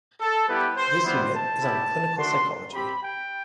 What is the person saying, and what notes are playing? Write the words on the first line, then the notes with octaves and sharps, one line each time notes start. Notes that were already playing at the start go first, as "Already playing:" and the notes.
This unit is on clinical psychology.
A4
G3 B3 E4 G4 B4
C5
G3 B3 E4 C5
A5
B3 E4 G4
A3 D4 F#4 C6
C4 G4 B5
G5